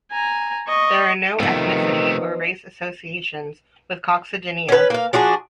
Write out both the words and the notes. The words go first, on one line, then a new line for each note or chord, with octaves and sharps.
There are no ethnicity or race associations with coccydnia.
G#5 A#5
D#5 C#6
C3 D#3 F3 A3 B3
C#4 B4
A#3 F5
F3 D4 F#4 G#4